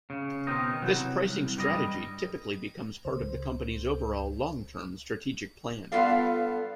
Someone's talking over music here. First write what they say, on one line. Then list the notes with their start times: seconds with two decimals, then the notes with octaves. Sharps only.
This pricing strategy typically becomes part of the company's overall long -term strategic plan.
0.10 C#3
0.47 B2 D#3 C4 D#4 D#5
0.82 C3 E3 F#3
1.21 C2
1.57 G2 G3 D#5
3.05 C#2 C5
5.92 G2 B3 F4 A4 D5 F5